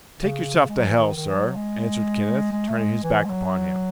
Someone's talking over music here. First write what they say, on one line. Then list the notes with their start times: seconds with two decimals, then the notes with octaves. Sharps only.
"Take yourself to hell, sir!" answered Kenneth, turning his back upon him.
0.20 C#3
0.69 G#3
0.78 F#3
0.87 E3
0.97 D#3
1.17 D#3
1.30 E3
1.36 F#3
1.55 G#3
2.52 G#3
2.69 A3
2.78 G#3
3.04 E3
3.25 G#3
3.29 F#3